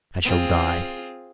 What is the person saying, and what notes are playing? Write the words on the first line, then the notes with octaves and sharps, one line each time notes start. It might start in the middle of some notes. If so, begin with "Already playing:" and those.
I shall die.
C4 F4 G#4